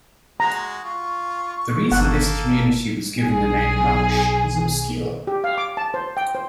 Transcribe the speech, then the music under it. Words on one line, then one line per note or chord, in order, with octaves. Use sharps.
The reason this community was given the name Rush is obscure.
G#3 F#4 A#5
F4 C#6
G1 A#3 A4 F#5
B1 G#4
G4
F5
D6
A5
C5
G5
C5